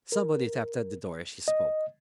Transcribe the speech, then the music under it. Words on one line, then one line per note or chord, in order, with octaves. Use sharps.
Somebody tapped at the door, as she spoke.
A#4
D#5